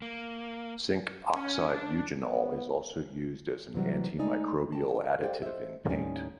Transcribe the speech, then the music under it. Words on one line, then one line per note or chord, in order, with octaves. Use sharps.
Zinc oxide eugenol is also used as an antimicrobial additive in paint.
A#3
C#4
D4
B3
C3 E3 F#3 G3
G#3 A3 D#4 D5 G#5
G5 A5
G4 A4 C5 D5 F5 G5
C5 D#5 E5
D#2 A2 D#3 G3 C#4 G#5